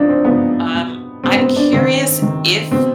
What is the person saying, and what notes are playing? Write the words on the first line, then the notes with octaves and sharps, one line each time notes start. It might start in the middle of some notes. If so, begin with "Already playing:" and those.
Um, I'm curious if
Already playing: C3 F3 D4 D#4
C4
C3 F3 B3
B2
B2 C4
B3
C4
D4
C3 D#3 C4
C3 D#3
B2 C4